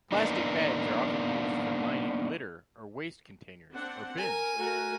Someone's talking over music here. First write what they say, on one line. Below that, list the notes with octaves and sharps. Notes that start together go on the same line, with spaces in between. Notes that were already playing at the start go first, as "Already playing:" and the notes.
Plastic bags are often used for lining litter or waste containers or bins.
A#3 B3 D4 D#4
C4 D4 F#5
A#4 G#5
A3 F#4 A#4